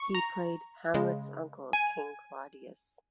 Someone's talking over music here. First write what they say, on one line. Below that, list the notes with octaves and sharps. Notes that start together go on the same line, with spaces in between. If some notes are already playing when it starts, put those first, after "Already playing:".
He played Hamlet's uncle, King Claudius.
Already playing: C#6
A#5
C#3 G#3
G#5